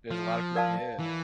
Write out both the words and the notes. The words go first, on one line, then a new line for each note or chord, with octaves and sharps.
There's a lot of p yeah.
F3
A#4 D5 F5 A5
E3